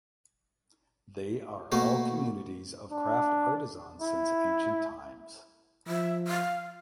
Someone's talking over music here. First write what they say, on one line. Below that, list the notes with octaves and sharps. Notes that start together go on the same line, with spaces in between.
They are all communities of craft artisans since ancient times.
B2 A3 A#3
D4
E4
F3 E5
F5